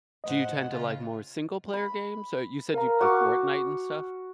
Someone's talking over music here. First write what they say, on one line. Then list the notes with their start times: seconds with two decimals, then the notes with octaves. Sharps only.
Do you tend to like more single-player games, or you said you play Fortnite and stuff?
0.24 A2 C5 D#5 F#5
0.68 C#3 F4
1.74 B5
2.74 A#4 F5 A#5
3.01 F#4 C#6 D6 F6